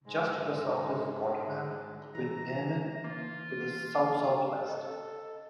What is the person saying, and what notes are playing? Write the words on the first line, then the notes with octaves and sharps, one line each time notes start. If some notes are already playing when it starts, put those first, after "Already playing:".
Just to the south is Waterman, with Neujmin to the south-southwest.
G#2 G#3
E3 A#5
A#3 F4
A4 D#5